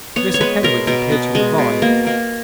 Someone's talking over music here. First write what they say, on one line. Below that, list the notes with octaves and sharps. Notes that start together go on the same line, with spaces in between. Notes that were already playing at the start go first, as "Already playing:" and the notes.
Mr Kenwigs appeared to revive.
B3 C#5
C#5
G#3 B4
B2 A#4
B2 A#4
B3
G#3
B2
A#3
A#3